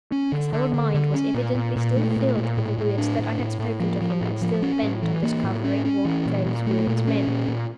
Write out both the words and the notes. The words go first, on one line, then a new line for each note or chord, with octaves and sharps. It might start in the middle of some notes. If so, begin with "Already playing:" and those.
His whole mind was evidently still filled with the words that I had spoken to him, and still bent on discovering what those words meant.
C#4
D3
D3
D3
D3
C#4
A#2
A#2
A#2
A3
A#2
A#2
A2
A2
D4
A2
A2
A2
F3
F3
A2
F3
C#4
A2
E3
A#3
A2
C#4
C#4
E3
A#2
A#2
A3
A#2
C#4
A#2
A#2